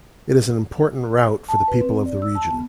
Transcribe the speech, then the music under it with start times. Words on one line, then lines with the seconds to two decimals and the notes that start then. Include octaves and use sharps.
It is an important route for the people of the region.
1.48 A5
1.68 B4
1.81 C4
2.06 D5
2.22 E6
2.35 A5
2.50 B3